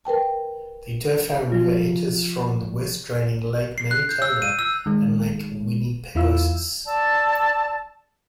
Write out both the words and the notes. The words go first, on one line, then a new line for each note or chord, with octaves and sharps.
The Dauphin River enters from the west draining Lake Manitoba and Lake Winnipegosis.
A#4 B4 G5 A5
F3 F#3 F4
C7
F#6
G6
E6
D#7
E6
D#3 G#3
E2 E4 F4 E6
D5 A5 E6